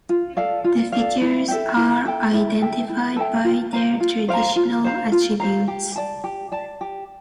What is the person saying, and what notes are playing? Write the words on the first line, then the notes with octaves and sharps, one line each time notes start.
The figures are identified by their traditional attributes.
F4
A4 D5 F5
F4
A4 D5 F5
E4
A4 E5 G5
E4
A4 E5 G5
E4
A4 E5 G5
E4
A4 E5 G5
F4
C5 F5 A#5
F4
C5 F5 A#5
F4
C5 F5 A#5
F4
C5 F5 A#5
G4
D5 A5
G4
D5 A5
G4